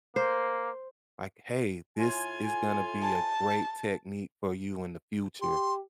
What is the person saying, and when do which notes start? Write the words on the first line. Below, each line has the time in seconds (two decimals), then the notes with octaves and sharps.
like, "Hey, this is gonna be a great technique for you in the future,"
0.16 A#3 C5
1.97 A2 F4 G#5
3.02 A5
5.41 G4 C6